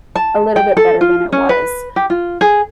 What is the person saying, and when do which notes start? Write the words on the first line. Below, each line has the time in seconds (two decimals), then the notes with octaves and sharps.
a little bit better than it was.
0.15 A5
0.56 G5
0.77 A4
1.01 F4
1.32 C#4
1.49 B4
1.96 G4
2.10 F4
2.41 G#4